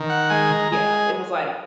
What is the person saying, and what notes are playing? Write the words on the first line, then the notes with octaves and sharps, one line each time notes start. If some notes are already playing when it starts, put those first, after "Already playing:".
yeah, it was like
Already playing: D#3
F#5
G#3 G#5
A#5
G#3 G#5